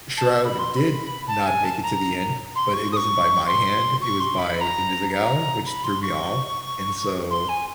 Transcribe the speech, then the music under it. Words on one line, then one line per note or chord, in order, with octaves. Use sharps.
Shroud did not make it to the end, but it wasn't by my hand. It was by Invisigal, which threw me off, and so
A5
B5
C6
C6
B5
A5
G#5
A5
A#5
C6
C#6
D#6
C#6
C6
C#6
C6
B5
B5
A#5
A#5
B5
C6
C#6
C6
G#5